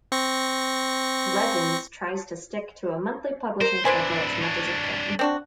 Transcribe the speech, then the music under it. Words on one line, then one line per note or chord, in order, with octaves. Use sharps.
"Legends" tries to stick to a monthly publishing schedule as much as it can.
C4 C#6 A#6
A#4 C5
D4 E4 B4 C5 G#5
D4 C#5
C4 D4 F#4